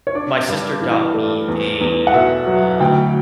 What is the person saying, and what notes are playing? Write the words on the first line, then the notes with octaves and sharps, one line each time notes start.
my sister got me a, um
C#5
D4 D5
G2
E3
A3
E2
E2
F#5
B2 E5
F#3
D2 G5